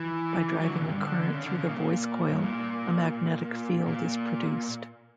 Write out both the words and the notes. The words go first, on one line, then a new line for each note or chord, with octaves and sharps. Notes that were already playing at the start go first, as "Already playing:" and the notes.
By driving a current through the voice coil, a magnetic field is produced.
Already playing: E3
F#3
D3
A#2
G2
D3
C#3
D3
C#3
A#2
G2
A#2
A#2